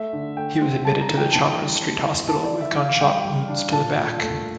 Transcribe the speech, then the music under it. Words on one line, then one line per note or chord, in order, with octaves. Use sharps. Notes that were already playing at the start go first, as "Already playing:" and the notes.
He was admitted to the Chamers Street Hospital with gunshot wounds to the back.
Already playing: A3 E5
D3
A3 G5
C4
G3 A5
A#5
E3
G5
D4 A5
G3
C4
E4
E4 A5
D5
E4
E5
E3 F5
G3 G5
G3
D4
A#2 A5
A#2
A3